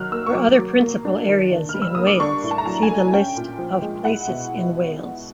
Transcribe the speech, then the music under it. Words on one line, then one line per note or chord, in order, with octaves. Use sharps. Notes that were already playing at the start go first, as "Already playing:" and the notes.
For other principal areas in Wales, see the list of places in Wales.
Already playing: D#3 F#3 F6 F#6
A#3 E6
C#6
F#3 D6
F#3
A#3
D4
D#3
D#3
G3 F6
E6
A#3 D#6
D6
D4 C#6
A2
A5
A#5
F#3 A5
G#5
A3
C#4 G5
A#2
F3
G#3
E4 F#5
B2